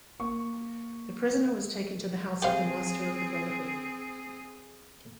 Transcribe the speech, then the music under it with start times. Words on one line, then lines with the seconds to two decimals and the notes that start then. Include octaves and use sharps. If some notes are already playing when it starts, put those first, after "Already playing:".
The prisoner was taken to the house of the Master of the Brotherhood.
0.20 A#3 C#6
2.42 C4 G4 G#4 C5 F5